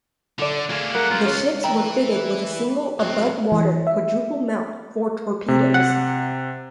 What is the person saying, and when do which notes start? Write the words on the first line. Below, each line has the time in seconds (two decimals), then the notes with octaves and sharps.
The ships were fitted with a single above-water quadruple mount for torpedoes.
0.39 D3 A4 D5
0.70 A3 A#3 G#4
0.94 G#4 A#4 F#5
1.10 C#2 F4
1.26 C#5
1.64 E4 B4 D#5 G5 A#5
3.00 F#3 C4
3.52 E3
3.87 E5
5.48 C3
5.74 F#5